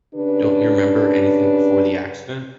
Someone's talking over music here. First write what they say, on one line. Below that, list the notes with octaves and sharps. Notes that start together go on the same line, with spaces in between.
Don’t you remember anything before the accident?
C#3 D4 G4 B4